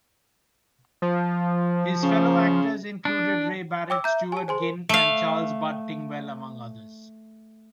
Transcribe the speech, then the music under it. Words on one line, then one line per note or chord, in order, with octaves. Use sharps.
His fellow actors included Ray Barrett, Stewart Ginn and Charles "Bud" Tingwell, among others.
F3
C#3
D4
C#5 G5 D6 E6
E5 A#5 G6
G4 G#5 A5
G#4 C5 G#5 C6
A#4
A3 F5